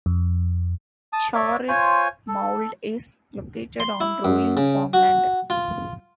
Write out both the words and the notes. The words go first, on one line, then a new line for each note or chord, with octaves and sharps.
Charles Mound is located on rolling farmland.
F2
A5 D#6
C#5 D5 E5
F4 C5 C#5 G#5
A4
C6
E4
F#2
C#3
F#4
F4